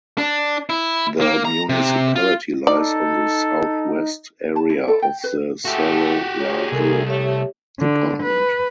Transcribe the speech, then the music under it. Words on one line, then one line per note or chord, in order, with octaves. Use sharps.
The municipality lies on the southwest area of the Cerro Largo Department.
D4
E4
A#3
A#5
C3
F4
D#4 A4 D5
A5
E4
A4
G5
B4
E3 G#3 A3 F#4 G4 F#5
D3 D#3 F4 G#4 C#5
C2 A4 A#4 G#5
A3 G4 C#5 E5
D3
B4